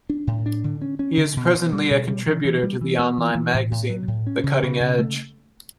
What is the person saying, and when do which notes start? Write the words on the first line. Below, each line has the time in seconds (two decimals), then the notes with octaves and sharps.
He is presently a contributor to the online magazine, The Cutting Edge.
0.10 D4
0.27 A2
0.46 D4
0.64 D3
0.82 C#4
0.99 C#4
1.17 D3
1.37 B2
1.55 B2
1.73 G3
1.91 B2
2.08 G3
2.27 E3
2.45 E3
2.63 G3
2.81 E3
2.99 B3
3.18 E3
3.35 E3
3.54 A2
3.71 A2
3.90 F#3
4.08 A2
4.27 C#4
4.44 C#3
4.63 C#3
4.80 C#3
4.99 A3